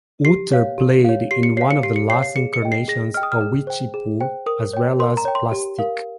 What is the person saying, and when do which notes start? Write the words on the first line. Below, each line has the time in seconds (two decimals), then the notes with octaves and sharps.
Utter played in one of the last incarnations of Witchypoo, as well as Plastique.
0.25 G4 C7
0.52 C#5 F5
0.78 G4
1.04 C#5 F5
1.31 G4 C7
1.43 C#7
1.57 C#5 F5 C7
1.71 C#7
1.83 G4 C7
1.96 C#7
2.10 C#5 F5 C7
2.23 C7
2.36 G#4 C#7
2.53 C#7
2.62 D#5 G5
2.72 C7
2.88 G#4 A#6
3.14 D#5 G5 F6
3.23 D#6
3.32 F6
3.41 G#4
3.67 C5 G5
3.94 G#4
4.21 C5 G5
4.46 A#4 D#6
4.73 C#5 G5
4.99 A#4 C6
5.17 A#5
5.25 C#5 G5
5.35 C6
5.52 G4
5.79 A#4 F5